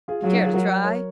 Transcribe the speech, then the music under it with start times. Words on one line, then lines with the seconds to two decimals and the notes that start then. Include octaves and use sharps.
"Care to try?"
0.08 F4 G#4
0.23 F#3 F4 G#4
0.33 D#4 F#4
0.43 F4 G#4
0.53 F#4 A#4
0.83 A#4 C#5